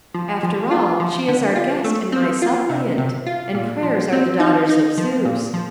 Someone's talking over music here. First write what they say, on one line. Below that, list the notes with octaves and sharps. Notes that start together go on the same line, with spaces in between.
After all, she is our guest and my suppliant, and prayers are the daughters of Zeus.
F3
F3
F4
F3
D3
F4
A3
C4
F4
C3
C3
F4
A#2
F3
C4
D#4
D#4
F3
A#2
F3